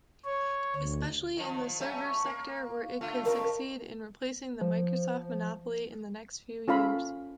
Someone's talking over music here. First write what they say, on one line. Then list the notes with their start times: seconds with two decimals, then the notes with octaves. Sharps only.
Especially in the server sector where it could succeed in replacing the Microsoft monopoly in the next few years.
0.25 C#5
0.76 D2
1.37 D#3 F3
1.80 F#3 A3 C#4
2.25 A#3
3.01 D3 A3 F4
3.25 F2 C3 A#4
4.61 F3
6.68 C#4 F4 A4 F5 B5